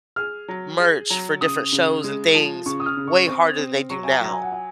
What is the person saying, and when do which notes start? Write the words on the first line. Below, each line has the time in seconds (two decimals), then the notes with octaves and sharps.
merch for different shows and things way harder than they do now.
0.16 G#4 F6
0.48 F#3
0.79 G#4
1.10 F#3
1.41 C#3 D#6
1.72 C#3
2.04 G#3
2.35 F3
2.66 C#3 C#6
2.80 D#6
2.86 F6
2.97 C#3
3.08 C#6
3.28 C4 C#6
3.59 C4
3.90 F#3 C#6
4.04 G#5
4.11 A#5
4.21 F#3 A#5
4.31 G#5
4.43 F#5
4.52 G#5